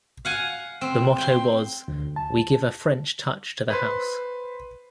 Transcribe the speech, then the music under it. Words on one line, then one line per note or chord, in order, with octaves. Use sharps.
The motto was: "We Give a French Touch to House".
F5 F#5 G#5
C4
G5 C6
D2
A5
B4 C5 B5 C6